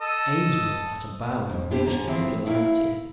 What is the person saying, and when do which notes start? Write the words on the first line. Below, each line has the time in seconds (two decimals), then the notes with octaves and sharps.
Ainsworth at a bound reached popularity.
0.01 A4 D#5
1.50 F2
1.71 B3 C4 D4 G4 C5
1.86 G#2 D3 C#4 A#5
2.07 G2 E3 F3 C4
2.46 D#4 E4 A#4 F5